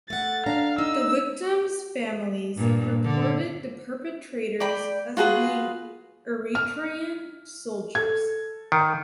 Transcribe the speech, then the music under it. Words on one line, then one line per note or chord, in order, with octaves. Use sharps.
The victims’ families reported the perpetrators as being Eritrean soldiers.
A3 F#5 A6
D4 F5 A#5
D#4 E6
G2 A#2
D3
D5 G5 B5
F4 F#4 G#4 B4
F6
A4 G#6
D#3